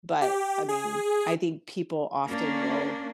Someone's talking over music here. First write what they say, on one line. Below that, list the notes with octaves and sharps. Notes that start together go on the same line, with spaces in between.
But, I mean, I think people often will
G4
G#4
A#3 C#4 D4